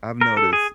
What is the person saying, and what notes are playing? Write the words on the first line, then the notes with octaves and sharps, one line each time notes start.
I've noticed
A#4
A4
G#4